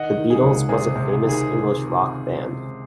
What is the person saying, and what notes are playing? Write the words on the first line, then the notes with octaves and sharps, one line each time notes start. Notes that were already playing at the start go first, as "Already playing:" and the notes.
The Beatles was a famous English rock band.
Already playing: D#3 D#5 F#5
D#3
G#4
C#2
C3 G#4
C3
G#4
D#3
G#4